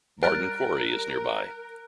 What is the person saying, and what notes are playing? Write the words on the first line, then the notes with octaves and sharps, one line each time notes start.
Bardon Quarry is nearby.
G3 A#4 F6 F#6 A6 D7